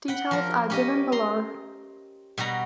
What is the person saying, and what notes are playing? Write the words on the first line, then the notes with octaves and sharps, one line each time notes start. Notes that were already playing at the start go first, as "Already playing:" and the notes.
Details are given below.
F#5 G5 B5
F3 A#4
C#4 G4 D#5
A#5 C6
B2 G3 F#4 A#5